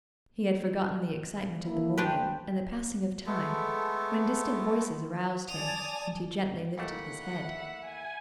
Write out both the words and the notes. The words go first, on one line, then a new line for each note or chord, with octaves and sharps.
He had forgotten the excitement of the morning and the passing of time when distant voices aroused him, and he gently lifted his head.
A#3 D4 E4
D2 D4 G4 B4 C5 G5
G#3 A3 B3 A4
D5 G#5 A5 D#6 F7
D#2 E3 A3 F#5 B5
E5
G#5